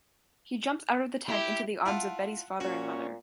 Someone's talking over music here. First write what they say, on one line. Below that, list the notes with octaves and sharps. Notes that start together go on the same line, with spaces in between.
He jumps out of the tent into the arms of Betty’s father and mother.
E4 G4
E4 F4 F#5 A5
A#2 C#4 F#4